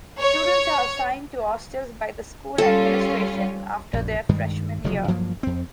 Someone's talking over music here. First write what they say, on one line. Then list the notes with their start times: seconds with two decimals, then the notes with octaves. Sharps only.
Students are assigned to hostels by the school administration after their freshmen year.
0.19 C#5
2.58 G3 C#4 F4 A4
3.93 A#1 F#2
4.29 G2 D#3 G3 G#3
4.84 F#1 C3 F3 F#3
5.08 G2 F3 F#3 A#3
5.43 F2 C4